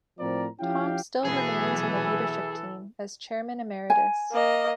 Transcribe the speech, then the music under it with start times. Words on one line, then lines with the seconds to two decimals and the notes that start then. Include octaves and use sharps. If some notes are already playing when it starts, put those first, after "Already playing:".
Tom still remains on the leadership team as Chairman Emeritus.
0.19 A2 F3 C4 A#4 D5 A#5
0.60 F3 C#4 E4 G4 F5 G5
1.25 B2 E3 F#3 B3 G#4 A4
3.90 G#5
4.32 A#3 D#5